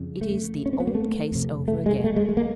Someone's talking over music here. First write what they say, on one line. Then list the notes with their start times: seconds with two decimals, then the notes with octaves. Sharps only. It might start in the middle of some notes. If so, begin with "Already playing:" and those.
It is the old case over again.
Already playing: F2 C#3
0.21 A3
0.66 C#4
0.73 C4
0.80 B3
0.87 A#3
0.95 A3
1.32 F2 C3
1.68 A3
1.86 G#3
2.04 A3
2.16 G#3
2.29 G#3
2.37 A#3